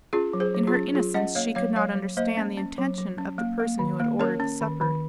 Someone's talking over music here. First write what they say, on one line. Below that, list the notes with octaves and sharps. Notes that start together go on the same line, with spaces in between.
In her innocence, she could not understand the intention of the person who had ordered the supper.
C#4 F4 G#4
F#3
G#4 C5
F#3
F4 G#4
C#4
F#3 F4 G#4
C#4 D#5 F#5
A#3 C#5 F5
F#3 C#5 F5
F#3 C#5 F5
F#3
A#3 C5 D#5
C#4
C#4
F#3
F#3
C#4
A#3
A#3
D#3
A#3
C#4 A#4 C#5
C#4
D#3
D#3